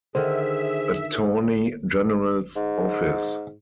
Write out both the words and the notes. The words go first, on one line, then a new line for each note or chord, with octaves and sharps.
Attorney General's office.
D3 D#3 G#4 C5 E5
G#2